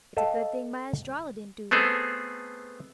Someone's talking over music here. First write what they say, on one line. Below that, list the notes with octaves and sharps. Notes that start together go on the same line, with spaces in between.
It's a good thing my Estralla didn't do that!
A4 D#5 F5 G5 A5
A3 B3 C4 G#4 A4